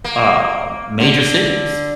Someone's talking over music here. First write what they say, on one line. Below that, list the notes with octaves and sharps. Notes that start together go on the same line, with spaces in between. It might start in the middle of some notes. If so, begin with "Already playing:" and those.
uh, major cities.
A#3
D3